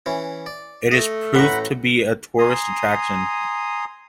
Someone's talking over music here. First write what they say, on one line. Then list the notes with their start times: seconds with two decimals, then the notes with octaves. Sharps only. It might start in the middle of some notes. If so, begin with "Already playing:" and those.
It has proved to be a tourist attraction.
0.06 E3 C#4
0.46 D5
0.91 A3 D#5
1.35 A1 F#5 A#5 B5
2.39 G#5 A#5 C6 D#6